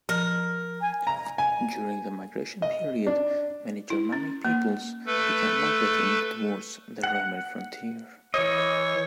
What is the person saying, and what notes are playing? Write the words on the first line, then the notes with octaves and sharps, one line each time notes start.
During the Migration Period, many Germanic peoples began migrating towards the Roman frontier.
F3 A#4
G#5
A#5
G#5
D#5
D4
E4
C#4
A#3
A3 A4 B4
F#5
E3 C#5 D#5